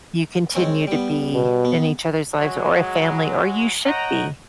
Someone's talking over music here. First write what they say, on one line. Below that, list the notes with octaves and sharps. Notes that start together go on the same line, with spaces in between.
you continue to be in each other's lives, or a family, or you should be,
G#3 C4 C#4
G3 B3
B2
B3
F#3 G#3
C#5 D#5 F#5 G5 A#5